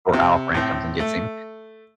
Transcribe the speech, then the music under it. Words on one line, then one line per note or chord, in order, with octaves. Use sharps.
or our friend comes and gets him,
C3
A2 C4
A3